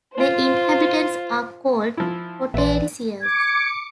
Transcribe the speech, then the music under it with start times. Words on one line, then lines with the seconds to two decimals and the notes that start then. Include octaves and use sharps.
The inhabitants are called "Cottevreziens".
0.12 F4 C5
1.97 F3 E4
2.54 A#1 E3 B3 D5 E5 C6
3.21 D6 G#6 C#7